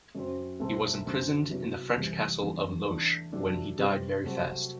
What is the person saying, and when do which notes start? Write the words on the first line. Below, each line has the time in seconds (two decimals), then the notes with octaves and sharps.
He was imprisoned in the French castle of Loches when he died very fast.
0.15 F#2 F#3 C4
0.60 C2 B2 A3 C4
1.05 F#2 D3 F#3 A3 C4
1.51 C3 F#3 B3 E4 G4
1.96 C2 C3 E3 G3
2.42 E2 C3 G3 B3 D4
2.87 E3 A3 D4
3.32 C3 F#3 A3 D4 G4
3.78 C3 G3 C4 G4 B4
4.23 C3 F#3 A3 C4 F#4